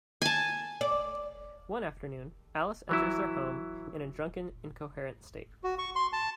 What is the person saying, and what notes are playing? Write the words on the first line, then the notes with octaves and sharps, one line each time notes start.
One afternoon, Alice enters their home in a drunken incoherent state.
G#5 A5
D5
E3 F#3 E4
F#4
C#6
C6
A5